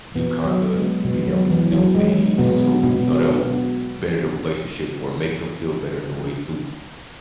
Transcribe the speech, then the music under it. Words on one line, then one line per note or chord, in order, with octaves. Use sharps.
you kinda being able to do things to, you know, that will better the relationship or make them feel better in a way too.
B2 B3
F#3
B3
G#3
B2 B3
F#3
E3
F#3
G#3
B2 B3
B2 B3
B2 B3